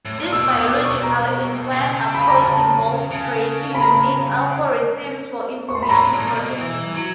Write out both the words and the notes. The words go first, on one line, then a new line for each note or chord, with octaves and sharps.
This biologically inspired approach involves creating unique algorithms for information processing.
A2
A#2
B2 E6
D#6
D6
C#6
A#5
C#3
B5
A#5
A5
C#3
B5
A#5
C#6
C6
B5
A2 A#5
A#2
A2
A#2
B2
E3
F#3